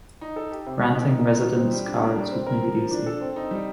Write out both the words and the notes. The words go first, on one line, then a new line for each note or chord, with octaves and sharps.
Granting residence cards would make it easy.
D#4
A4
G4
C3
D#4
A#3
D#4
D#4
F3
C4
G3
D4
A#3
G3
C4
A#4
F3
F3
D4
A4
C4
D#4
G3